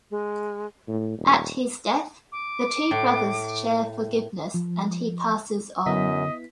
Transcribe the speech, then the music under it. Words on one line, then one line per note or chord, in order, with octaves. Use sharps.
At his death the two brothers share forgiveness and he passes on.
G#3
A2
D#1
D6
A2
F3
F#2 D3 B3 E4 D#5 B6